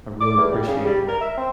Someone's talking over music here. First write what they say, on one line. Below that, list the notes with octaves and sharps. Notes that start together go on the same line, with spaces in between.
I really appreciate it.
D6
E2
G3
C#3
G3
A#4
E5
C4